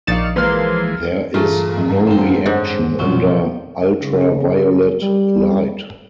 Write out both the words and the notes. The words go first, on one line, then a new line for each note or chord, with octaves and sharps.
There is no reaction under ultraviolet light.
A#1 D#4 D5 F5 C#6 A6 E7
E3 F3 G#3 A#3 B4 C6 F6
G2 A#2 E3 A3 F4 G#4
G#2
F#2 D3 G3 C4 G5
G#2 C5 C#5 F#5
C2 B2 F3 F#3
C#3
G3